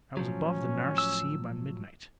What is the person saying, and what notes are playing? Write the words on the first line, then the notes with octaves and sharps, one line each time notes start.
I was above the Nares Sea, by midnight.
A2 F3 F#3 C#4
E6